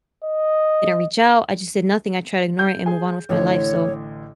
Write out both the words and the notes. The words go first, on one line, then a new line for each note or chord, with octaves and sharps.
reach out, I just did nothing, I tried to ignore it and move on with my life, so,
D#5
G6
G#4 G#5
A1 A2 D3 C#5